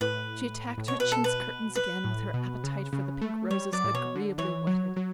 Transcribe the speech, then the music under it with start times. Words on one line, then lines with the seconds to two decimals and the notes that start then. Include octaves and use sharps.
She attacked her chintz curtains again with her appetite for the pink roses agreeably whetted.
0.01 A2 B4
0.78 A2
0.88 B2 C#5
1.00 B4
1.12 A4
1.24 B4
1.75 B4
2.04 A2
2.34 B2
2.64 C#3
2.93 C#3
3.21 A3
3.51 G3 C#5
3.73 F#3 D5
3.84 A2
3.94 B2 C#5
4.16 D3
4.38 E3 C#5
4.67 F#3
4.96 F#3